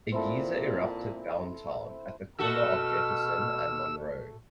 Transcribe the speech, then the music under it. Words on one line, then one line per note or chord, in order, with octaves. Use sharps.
A geyser erupted downtown at the corner of Jefferson and Monroe.
A#2 C4 E4 A4
B2 A3 F#4 A4 E6 F6